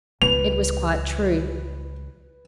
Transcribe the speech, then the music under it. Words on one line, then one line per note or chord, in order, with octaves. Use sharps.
It was quite true.
C#2 B4 F7